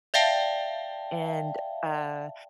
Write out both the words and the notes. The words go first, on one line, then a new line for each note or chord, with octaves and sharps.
And, uh,
D5 E5 F5 G5 A5